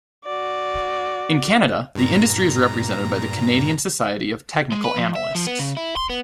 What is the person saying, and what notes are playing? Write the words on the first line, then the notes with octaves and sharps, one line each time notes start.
In Canada the industry is represented by the Canadian Society of Technical Analysts.
F#4 D5
G2 A#2 A#5
G#3
B4
F3
E5
F3
B3
C#3
E4
C6
B3